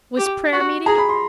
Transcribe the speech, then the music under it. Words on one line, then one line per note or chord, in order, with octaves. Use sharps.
"Was prayer-meeting?"
G4
F#4
G#4 A#5
B5
C6